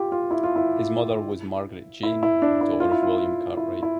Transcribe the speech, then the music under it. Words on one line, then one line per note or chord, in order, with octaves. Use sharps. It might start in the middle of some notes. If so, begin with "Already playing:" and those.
His mother was Margaret Jane, daughter of William Cartwright.
Already playing: F4 G4
F4
E4
F4
E4
E4
E4
D4
E4
F4
E4
F4
E4
E4